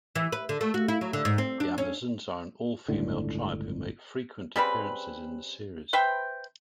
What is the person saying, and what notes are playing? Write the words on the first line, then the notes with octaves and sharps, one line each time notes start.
The Amazons are an all-female tribe who make frequent appearances in the series.
E3
B4
D3
A3
F#4
E4
F#3
D3
G#2
C4
D4
C#4
G1 C#2 A2 D3
C#3 G3 C4 B4
B4 C5 E5 G5